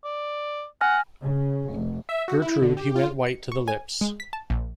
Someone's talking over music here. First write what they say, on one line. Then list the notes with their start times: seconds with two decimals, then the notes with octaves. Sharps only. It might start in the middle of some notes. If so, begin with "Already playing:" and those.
Gertrude he went white to the lips.
0.04 D5
0.81 F#5 G#5 F6 A#6
1.21 C#3
1.69 F1
2.09 E5
2.28 F#4
2.42 E4
2.62 D3
2.77 G4
2.96 F4
3.27 C#7
3.52 C#6
3.68 G#5
4.01 G#3
4.20 B6
4.33 A5
4.50 A#1